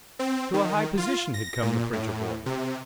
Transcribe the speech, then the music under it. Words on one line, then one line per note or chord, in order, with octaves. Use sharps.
To a high position had come the printer-boy.
C4
D#3
F4
A#6
A#2
A2
C3